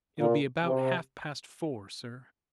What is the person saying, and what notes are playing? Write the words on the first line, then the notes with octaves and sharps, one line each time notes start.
"It'll be about half-past four, sir."
A#2
C3